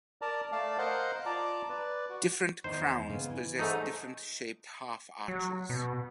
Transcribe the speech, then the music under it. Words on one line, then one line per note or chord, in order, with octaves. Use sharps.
Different crowns possess different shaped half arches.
A#4 D5 A5 A#5
A3 D5 F5 A5
A#4 C5 D#5 F5 F#5
F4 D5 A5 A#5 D6
B4 D5
F#4
E2 D#3 C5
C#3 B3
E3
G#2 A3 D#4 A4
F#3
B2